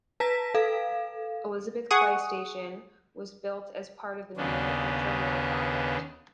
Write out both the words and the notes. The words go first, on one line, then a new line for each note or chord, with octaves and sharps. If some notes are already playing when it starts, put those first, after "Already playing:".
Elizabeth Quay station was built as part of the New MetroRail project.
B4 A5 A#5 B6
A4 F5
G#4 F#5 C#6 D#6
D#2 C#3 B3 C#4 D4